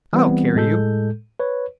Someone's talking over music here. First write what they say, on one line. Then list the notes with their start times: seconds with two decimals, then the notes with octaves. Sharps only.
"I'll carry you."
0.13 E3 G3 B3 C4
0.55 A2 G#3 A4 G6
1.40 B4 C#5